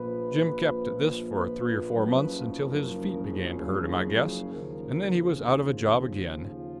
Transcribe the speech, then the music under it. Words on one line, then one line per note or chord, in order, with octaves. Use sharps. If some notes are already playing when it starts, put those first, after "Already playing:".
Jim kept at this for three or four months, until his feet began to hurt him, I guess, and then he was out of a job again.
Already playing: A#1 A#2 F3 B4
B4
F#1 F#2 C#3 F3
A#4
G#4
D#2 C#3 F3 A#4
G#4
F4